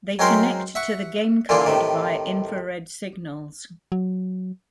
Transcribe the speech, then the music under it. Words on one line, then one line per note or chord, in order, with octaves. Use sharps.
They connect to the game card via infrared signals.
F#3 G#3 C4 C#4 A#4 C5
E5 F#5 C#6
A#2 D3 E3 A#3 F4
A2 C3 D#3
F#3